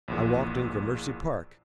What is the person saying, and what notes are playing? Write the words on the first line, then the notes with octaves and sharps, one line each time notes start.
I walked in Gramercy Park.
A#1 E2 A#2